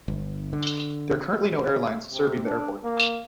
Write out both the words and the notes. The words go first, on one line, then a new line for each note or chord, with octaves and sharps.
There are currently no airlines serving the airport.
G1
D3
C3
D4
A#3